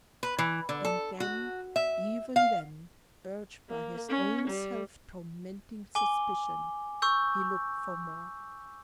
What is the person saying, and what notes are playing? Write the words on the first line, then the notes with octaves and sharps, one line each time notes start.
And then--even then--urged by his own self-tormenting suspicion, he looked for more.
B4
E3
D3
A4
F#4
E5
F5
A#3
C#4
G3
G#5 D6 G7
C#6 E6 G6